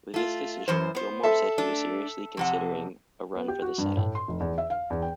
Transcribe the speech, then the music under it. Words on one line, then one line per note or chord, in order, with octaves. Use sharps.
With this decision, Gilmore said he was seriously considering a run for the Senate.
A3 F4
F#2 E3 C5
B3 C5
A4 E5
A3 D4
F2 C3 F#5
B3
G4
F#4
G2
A2
C6
F1
E2
E5
F5
E2
G5